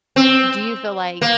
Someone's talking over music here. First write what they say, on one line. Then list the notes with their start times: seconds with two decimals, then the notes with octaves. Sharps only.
eh do you feel like
0.16 C4
1.22 A#3